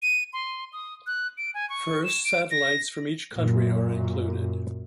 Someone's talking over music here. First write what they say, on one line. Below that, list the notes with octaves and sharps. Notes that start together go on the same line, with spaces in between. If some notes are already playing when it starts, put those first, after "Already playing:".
First satellites from each country are included.
D#7
C6
D#6
F#6
D7
G#5
C#6
E7
D7
A#6
F#2 A#2